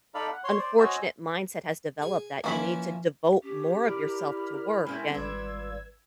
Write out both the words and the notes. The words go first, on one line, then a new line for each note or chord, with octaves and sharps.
unfortunate mindset has developed that you need to devote more of yourself to work and,
D#4 A4 D5 F5 B5
F#5
C#5 C6
C5 D5
F#4 C5 C#5 D#5 G#5 E6
G#4
E3 F3 A#3 C#4 B5
C#4 G4
E4 A#4 D5 B5 F6
G#3 C4 C#4 E4
G#1 G3 F4 B4 D5 E6 G#6